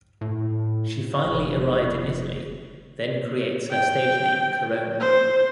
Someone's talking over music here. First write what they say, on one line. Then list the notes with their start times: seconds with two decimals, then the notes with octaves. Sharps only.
She finally arrived in Italy, then creates her stage name Corona.
0.21 A2
1.25 F1
3.71 G5
5.00 C5